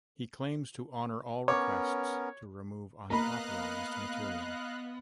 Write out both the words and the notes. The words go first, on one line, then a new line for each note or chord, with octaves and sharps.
He claims to honor all requests to remove unauthorized material.
B3 C#4 A#4 C#5 D6
A#3 B3 D#5 F5 A#5 B5 F#6